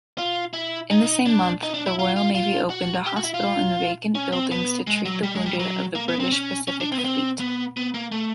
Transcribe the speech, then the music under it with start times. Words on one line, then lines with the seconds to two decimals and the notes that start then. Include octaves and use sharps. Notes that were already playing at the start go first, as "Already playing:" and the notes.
In the same month, the Royal Navy opened a hospital in vacant buildings to treat the wounded of the British Pacific Fleet.
0.18 F4
0.53 E4
0.91 D#4
1.26 D4
1.63 D#4
1.74 D4
1.86 E4
1.99 F4
2.16 F4
2.35 F4
2.70 F#4
3.06 G4
3.16 F#4
3.24 E4
3.34 F4
4.15 C#4
4.33 C4
4.52 B3
4.87 G#3
5.06 F#3
5.23 G3
5.35 G#3
5.46 G3
5.60 F#3
5.95 A#3
6.08 B3
6.20 C4
6.32 C#4
6.68 C#4
6.80 D4
6.92 C4
6.99 B3
7.05 C4
7.40 B3
7.77 B3
7.94 A#3
8.12 A3